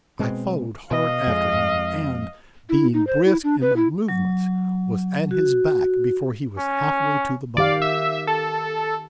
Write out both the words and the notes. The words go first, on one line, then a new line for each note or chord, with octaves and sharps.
I followed hard after him, and, being brisk in my movements, was at his back before he was half-way to the bottom.
B2 G#3 C4
B2 D#5 F5
F2 G#3
E4
D#4
C5
E4
D4
B4
E4
F#3
F#4
C#4
D#3 G4 D5 F5
E5
A4